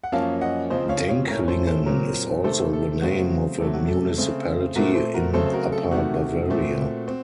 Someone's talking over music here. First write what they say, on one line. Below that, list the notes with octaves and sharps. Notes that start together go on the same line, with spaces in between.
Denklingen is also the name of a municipality in Upper Bavaria.
F#5
F#2 F3 A#3 C#4 F5 A5
D#5 F#5
F2 C#3 F3 C4 C5 D#5
C#5 F5
C#5 F5
A2 A3 C#4 A#4 C#5
A4 C5
A4 C5
A#2 F#3 C4 A#4 C#5
C3 D#3 A3 C4 A4 C5
A4
C#3 F#3 A3 C4 F#4
C3 F#3 A3 A4
F#4
A4
C#3 A3 C4
A#2 A3 C4 F#4 A#4
A4 C5
F#4 A#4
C#3 F#3 A3 C4 A4 C5
C5
F#4 A#4
A4
C3 D#3 A3 F#4
A#2 A3 C4
C4